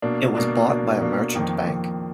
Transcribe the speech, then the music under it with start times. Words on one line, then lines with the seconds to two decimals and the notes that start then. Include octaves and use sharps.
It was bought by a merchant bank.
0.02 B2 A#3 D4
0.35 B2 A#3 D4
0.68 B2 A#3 D4
1.01 B2 A#3 D4
1.34 F2 D#3 A#3
1.67 F2 D#3 A#3